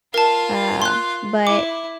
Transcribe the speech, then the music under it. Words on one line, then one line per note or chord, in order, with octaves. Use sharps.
uh, but
F4 A#4 F5 A5
C6 F#6
E4 D6